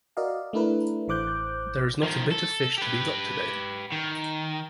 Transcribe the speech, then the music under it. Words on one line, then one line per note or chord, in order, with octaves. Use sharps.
There is not a bit of fish to be got today.
F#4 A#4 D5 D#5 F5
A3 D4 E4 A#4 B4
A1 E3 C5 D6 F#6 G6
D#3 F3
A4
G4 B4
D#3